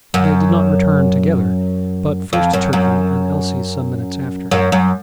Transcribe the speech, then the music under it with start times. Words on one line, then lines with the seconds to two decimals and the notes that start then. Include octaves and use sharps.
They did not return together, but first Turkey, and Elsie some minutes after.
0.14 F#2
2.33 F2
2.53 F#2
2.73 F#2
4.51 F#2
4.72 F#2